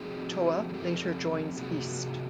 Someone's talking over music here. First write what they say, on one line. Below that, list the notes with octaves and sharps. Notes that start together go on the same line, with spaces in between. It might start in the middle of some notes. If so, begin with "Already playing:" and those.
Toa later joins east.
Already playing: F3 A3 C4 D#4 F#4 G#4
G#4
F3 A3 C4 D#4 G4 A4
C3 F3 A#3 D#4 F#4 G#4